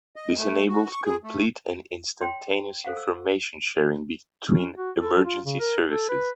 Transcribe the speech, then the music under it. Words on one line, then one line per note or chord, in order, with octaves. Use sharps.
This enables complete and instantaneous information sharing between emergency services.
D#5
A3
F#4
C#6
G#4
A3
C#5 G5 C6
A4 C5 F5 F#5
E6
C#4
F#4
A4
F4
C#3
A#4
A4
B4